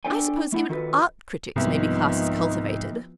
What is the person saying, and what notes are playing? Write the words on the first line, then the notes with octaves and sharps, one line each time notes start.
I suppose even art-critics may be classed as cultivated.
D4 A4 D5 G5 G#5
A3 E4 F#5
D#3 F4 F#4 A4 B4
C2 G#2 C3 D#3 F3 B3